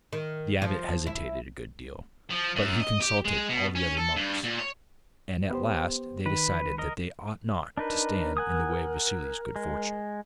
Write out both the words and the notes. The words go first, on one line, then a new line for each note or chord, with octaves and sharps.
The abbot hesitated a good deal, but he consulted all the other monks, and at last they decided that they ought not to stand in the way of Vassili's good fortune.
D#3
F3
E4
F3
F#2
D#5
G4
G#3
B2
C#4
A4
G2
A#2
C#5
B3 G4 C5
D#3 B4
A#4 D#5
D4 D#4 A#4 B4
F#5 G#5 D#6
G#3